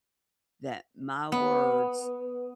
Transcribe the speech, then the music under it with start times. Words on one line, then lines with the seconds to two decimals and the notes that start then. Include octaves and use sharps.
that my words
1.32 B3